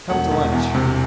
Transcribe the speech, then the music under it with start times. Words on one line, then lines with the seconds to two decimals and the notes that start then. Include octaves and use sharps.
"Come to lunch."
0.10 E1 F#5
0.31 E1
0.52 E2
0.75 C3